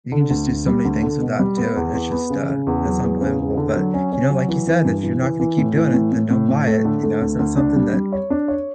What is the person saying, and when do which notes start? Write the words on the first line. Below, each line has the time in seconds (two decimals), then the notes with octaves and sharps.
You can just do so many things with that too. It's just, uh, that's unbelievable, but, you know, like you said, "If you're not gonna keep doing it, then don't buy it," you know? So it's something that
0.12 D3
0.30 D2
0.48 D2
0.67 G3
0.85 D2
1.03 D3
1.21 B2
1.39 G3
1.57 B3
1.76 E2
1.94 E2
2.12 B3
2.30 C#3
2.49 C#3
2.67 E2
2.85 F#3
3.03 E2
3.21 C#3
3.40 E2
3.57 D3
3.76 F#3
3.94 C#4
4.12 C#4
4.30 F#3
4.49 E3
4.67 E3
4.85 G2
5.03 E3
5.21 E3
5.40 E3
5.58 A2
5.76 E3
5.94 A2
6.12 A2
6.30 A2
6.48 A2
6.67 A3
6.85 D3
7.03 A3
7.21 D2
7.39 D2
7.57 D4
7.76 G3
7.94 G3
8.12 C#5
8.30 D4
8.48 C#5